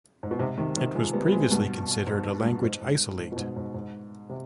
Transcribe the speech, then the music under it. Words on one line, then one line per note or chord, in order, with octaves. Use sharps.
It was previously considered a language isolate.
G#2
B2
G#2 C3
C3 D#3
C3 D#3
F3 G#3
G3 B3
B3
F3 G#3
G2 B2
G#2
G2
G#2
G#2
G#2
B2
G#2
G#2
G#2
C3